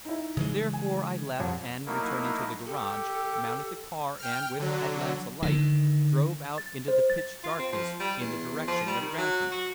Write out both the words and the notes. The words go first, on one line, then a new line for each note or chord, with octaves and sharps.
Therefore I left and, returning to the garage, mounted the car and, with head-lamps alight, drove out into the pitch darkness in the direction of Grantham.
D#4 E4
C#3 E3 G#3
G#5
C2 F2
F#3 A3 A#3 D#4 E4 A#4
G4 A4
G5 F6
D3 F#3
D3 D#3
A6
C5
A6
F4
C4
F3
G3
E2
F3
G3
D#3
F#3
F#4